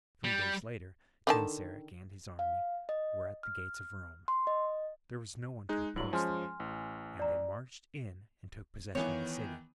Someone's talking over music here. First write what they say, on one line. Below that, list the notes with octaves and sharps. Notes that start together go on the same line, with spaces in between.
Three days later Genseric and his army were at the gates of Rome. There was no one to oppose them, and they marched in and took possession of the city.
G3
D3 D#3 A5
F5
D#5
F6
C6
D#5
G#3 D#4 G#4 F#6
G2 F#3 E4 F#7
F3 G#3 C#4 G#5 C6 F6
A1
D5 A#5
D#3 E3 B3 C#5